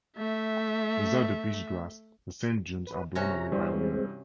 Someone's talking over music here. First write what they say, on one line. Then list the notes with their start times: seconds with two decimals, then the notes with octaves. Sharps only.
Without the beachgrass, the sand dunes are blown away by wind.
0.17 A3 E5
2.87 B4
3.15 C3 C#4 F#4 A#5
3.52 G2 E3 G3 C5
3.74 G#3 C4